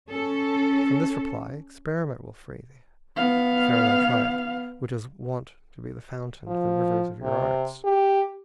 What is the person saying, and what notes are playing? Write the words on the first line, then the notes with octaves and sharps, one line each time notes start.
From this reply experiment will free thee If e'er thou try it, which is wont to be The fountain to the rivers of your arts.
C#4 A4
B3 F5
F3
C3
G4